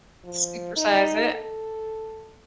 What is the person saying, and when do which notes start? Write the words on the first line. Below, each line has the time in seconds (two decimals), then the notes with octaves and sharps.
Supersize it.
0.24 F3
0.76 D#4
1.34 A4